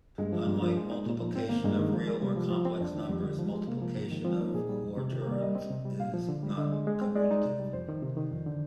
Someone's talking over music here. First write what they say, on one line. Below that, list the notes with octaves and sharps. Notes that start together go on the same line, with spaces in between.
Unlike multiplication of real or complex numbers, multiplication of quaternions is not commutative.
G2 G#3
F3
G2
F3
G#3
D#4
A#2
F3
G#2 C4
D#3 A#3
G2 G#3
D#3
F3
G#3
C3 G3
F3
F3
C4
F2 D4
D#3
F2 G3
D3
F3
G#3
C3 A#3
F3
G#2
D#3
F3 C4
A#3 D#4
A#2 G#4
G3
F2
C3
D#3 G4
A#4
A#3 D5
G3 D#5
C4
C3
G3
A#2 F5
F3
D3
G3
D3 D#5
G#3
G#3
C4
G#3 D5
D#4
C3
G3
F2 C5
D#3
C3
D#3
F2
D3